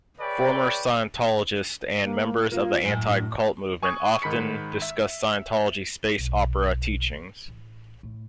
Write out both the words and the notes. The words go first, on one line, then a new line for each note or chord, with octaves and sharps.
Former Scientologists and members of the anti-cult movement often discuss Scientology's space opera teachings.
G#4 B4 C#5 D5 E5 G5
A#3
A#3 F4
F#2 A2 G#5
D4
G#5 C#6 D#6 F#6 G#6
G#2 D#3 B5 B6 C#7
E5
B1
A1
A2